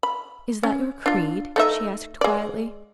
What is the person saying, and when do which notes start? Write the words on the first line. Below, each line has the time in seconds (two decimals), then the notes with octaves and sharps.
"Is that your creed?" she asked quietly.
0.03 B5
0.63 C#4
1.06 D4 F4
1.56 A3 D#4 E5
2.21 G#3 D5